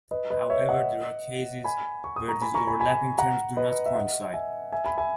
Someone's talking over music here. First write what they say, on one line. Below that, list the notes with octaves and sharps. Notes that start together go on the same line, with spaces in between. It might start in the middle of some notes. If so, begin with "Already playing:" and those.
However, there are cases where these overlapping terms do not coincide.
B4 D#5
B4 D#5
C#5 E5
D#5 F#5
G#5 B5
C#6
D#6
A#5 C#6
G#5 B5
A#5 C#6
G#5 B5
G#5 B5
F#5 A#5
B4 D#5
E5
D#5 F#5
E5 G#5
E5 G#5
G#5 B5
E5 G#5